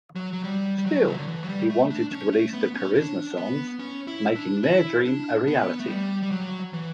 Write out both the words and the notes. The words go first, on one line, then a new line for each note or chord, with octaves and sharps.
Still, he wanted to release the Charizma songs, making their dream a reality.
F#3
F#3
G3
G3
F#3
C#3
D3
E3
F#3
G3
A3
D4
C#4
A3
B3
C#4
D4
B3
C#4
E4
D4
E4
D4
B3
A3
G3
G3
F#3
E3